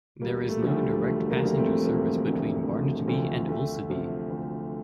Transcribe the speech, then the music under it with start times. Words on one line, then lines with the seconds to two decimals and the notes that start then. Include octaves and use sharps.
There is no direct passenger service between Barnetby and Ulceby.
0.21 E1 G3 A#3
0.49 A3
0.62 D2 D3 F3
0.77 G3
1.03 E1 A3
1.30 G3 A#3
1.44 D2 D3 F3
1.57 A3 C4
1.85 E1 G3 A#3
2.26 D2 D3 F3
2.66 E1
3.07 D2 D3 F3
3.48 D2 A3
3.89 C3 F3
4.30 D2